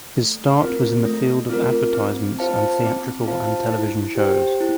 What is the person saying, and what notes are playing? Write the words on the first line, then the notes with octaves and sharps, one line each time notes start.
His start was in the field of advertisements and theatrical and television shows.
A3
C4 F4 A#4
A3
C4 F4 A#4
C4
F4 C5 F5 A5
C4
F4 C5 F5 A5
E4
G4 C5 G5
E4